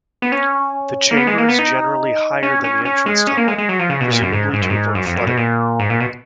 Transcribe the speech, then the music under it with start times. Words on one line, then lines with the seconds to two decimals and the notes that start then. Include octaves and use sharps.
The chamber is generally higher than the entrance tunnel, presumably to avoid flooding.
0.22 B3
0.32 C#4
1.11 A#3
1.17 B3
1.27 G#3
1.38 A#3
1.49 B3
1.59 D#4
2.43 C#4
2.64 C#4
2.85 C#4
3.06 G#3
3.27 C#4
3.37 A#3
3.48 G#3
3.58 G#3
3.69 F#3
3.79 F3
3.90 C#3
4.00 B2
4.11 A#2
4.22 F#2
4.32 G#2
4.53 G#2
4.62 F#2
4.70 G#2
4.95 F#2
5.05 F2
5.16 F#2
5.26 B2
5.37 A#2
5.79 G#2
5.90 A#2
6.00 B2